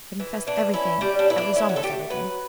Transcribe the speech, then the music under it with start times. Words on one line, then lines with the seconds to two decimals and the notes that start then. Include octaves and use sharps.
I confessed everything--at least, almost everything.
0.20 E3
0.47 E3 D4
0.74 C#4 E4
1.01 G3 D4
1.19 D4
1.28 E3 E4
1.38 D4
1.56 C#4 E4
1.69 F#4
1.76 A4
1.83 A3 G4
2.10 F#3 B4